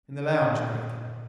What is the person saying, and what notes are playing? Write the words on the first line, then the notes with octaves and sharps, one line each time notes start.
"In the lounge, Gregg?"
A#2